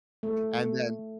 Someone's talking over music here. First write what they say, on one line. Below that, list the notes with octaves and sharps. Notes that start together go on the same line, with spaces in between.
And then
A3
A3